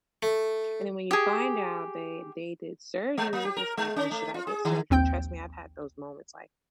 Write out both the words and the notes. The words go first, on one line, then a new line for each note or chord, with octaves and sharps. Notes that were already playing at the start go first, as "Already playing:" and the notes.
And then, when you find out that they did surgery, you're just like, "Oh, should I get surgery?" Trust me, I've had those moments, like,
A3
G4 G#4
G#3
A#3
G4
A#4
G#3
C#4
A3
F4
G#4
D#3
A#1 D#2 C4 G5 G6